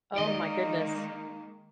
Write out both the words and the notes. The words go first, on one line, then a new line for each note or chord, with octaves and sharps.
Oh my goodness.
D#3 G#3 A#3 D#4 D5 D#5